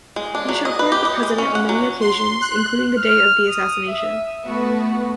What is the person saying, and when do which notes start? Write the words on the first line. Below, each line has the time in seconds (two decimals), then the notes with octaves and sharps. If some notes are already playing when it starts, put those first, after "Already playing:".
He chauffeured the president on many occasions, including the day of the assassination.
0.16 G#3
0.35 D4
0.49 F#3
0.65 D#5
0.79 B4
0.92 G4
1.05 D#5
1.23 G#3
1.38 C#4
1.55 F#5
1.69 F#3
2.01 C6
2.41 F#6
2.97 F6
3.48 D#6
3.87 E5
4.45 A3 B3 F#4 B4